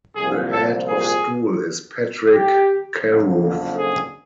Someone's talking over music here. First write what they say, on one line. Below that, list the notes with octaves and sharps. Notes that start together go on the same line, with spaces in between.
The head of school is Patrick Carruth.
C2 A#2 F3 G#4
A4
G#4
G4
F#1 F2 D3 F3
G#4